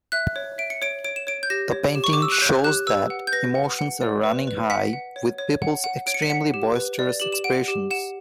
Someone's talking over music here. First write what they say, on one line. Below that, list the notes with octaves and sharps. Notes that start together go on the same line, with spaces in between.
The painting shows that emotions are running high, with people's extremely boisterous expressions.
E5 F#6
C#5
E5 D7
C#7
C#5 D7
C#5 D7
E7
C#5 D7
G6
G4 A#6
C#5
G4
C#6
D6
G4 E6
F#6
C#5 G6
G4 F#6
B4 E6
F#5
G6
B4 A#6
F#5
F#5
D5
B4
B4
F#5 B6
F#5
C#5
C#5
F#5
F#5
C#5 D7
C#7
B6
F#5 C#7
G4
B4
D5
G4 F#7
E7
F#5 D7
G4
F#5 E7